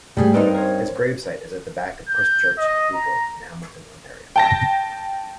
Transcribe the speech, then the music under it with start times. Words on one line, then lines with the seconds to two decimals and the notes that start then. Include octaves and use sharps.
His gravesite is at the back of Christ Church Cathedral in Hamilton, Ontario.
0.17 G#2 G3 A3 G#4
0.34 G2 C4 D#4 A#4 B4 D5
0.55 A#4 C5 C#5
2.09 G6
2.58 D#5
2.95 A#5
4.36 G5 A5 A#6